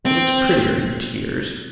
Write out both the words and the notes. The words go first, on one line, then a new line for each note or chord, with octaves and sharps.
She looks prettier in tears.'
C4